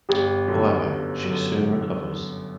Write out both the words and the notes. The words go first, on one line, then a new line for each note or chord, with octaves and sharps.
However, she soon recovers.
G1 G4
F#2 D3 F#3
G1
F#2 D3 F#3